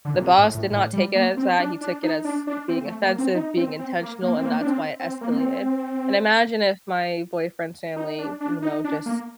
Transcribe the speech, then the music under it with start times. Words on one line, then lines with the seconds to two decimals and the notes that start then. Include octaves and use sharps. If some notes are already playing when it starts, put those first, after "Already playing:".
the boss did not take it as that, he took it as being offensive, being intentional, and that's why it escalated, and imagine if my boyfriend's family, you know, just,
0.05 D3
0.14 A#2
0.21 C3
0.38 A2
0.55 A2
0.71 A2
0.93 G3
1.15 A#3
1.37 C4
1.59 D4
1.81 D4
2.03 D#4
2.25 D4
2.47 D4
2.68 C4
2.85 A3
3.02 A#3
3.18 C4
3.35 D#4
3.57 C4
3.79 C4
4.01 A#3
4.22 A#3
4.37 C4
4.45 A#3
4.61 D4
4.67 C4
5.00 C4
5.21 A#3
5.32 C4
7.96 D#4
8.18 D4
8.41 D4
8.62 D#4
8.84 D4
9.06 A#3